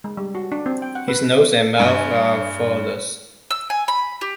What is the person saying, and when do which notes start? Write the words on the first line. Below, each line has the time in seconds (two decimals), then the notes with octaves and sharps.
His nose and mouth are faultless.
0.04 G#3
0.17 G3
0.35 F#4
0.52 D4
0.66 C4
0.82 G5
0.95 F#5
1.08 B4
1.78 G2 G#5
3.51 E6
3.70 G#5
3.88 B5
4.21 G4